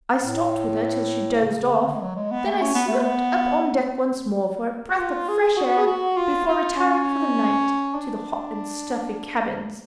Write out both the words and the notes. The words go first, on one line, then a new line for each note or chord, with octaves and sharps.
I stopped with her till she dozed off; then I slipped up on deck once more for a breath of fresh air, before retiring for the night to the hot and stuffy cabin.
A2
C#3
C#3
D3
A3
G#3
F#3
G#3
B3
A3
C#4
B3
A3
B3
F#4
F4
G#4
F#4
G#4
F#4
F4
F4
C#4
D4